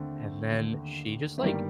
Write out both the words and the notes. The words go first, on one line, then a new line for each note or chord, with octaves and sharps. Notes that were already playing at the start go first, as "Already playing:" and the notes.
and then she just, like,
Already playing: D#2 D3 A3 C4
D#2 D3
A3
G1 G2 D#3 G3 A#3